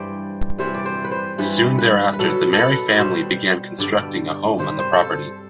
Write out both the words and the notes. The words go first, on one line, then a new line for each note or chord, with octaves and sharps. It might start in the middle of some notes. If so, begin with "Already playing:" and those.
Soon thereafter, the Merry family began constructing a home on the property.
Already playing: G2 E3 G3 C5 D5
C3 E3 G3 C5
D5
C5
B4
C5
G2 E3 G3 B4
B4
B4
B2 F#3 A4
A4
B4
B2 G3 C5
G2 D3 G3 D5
C3 G3 C5
C5
A4